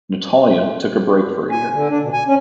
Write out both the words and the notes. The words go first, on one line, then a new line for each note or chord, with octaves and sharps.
Natalia took a break for a year.
G#5
D3
D4
B2
G#5
C#4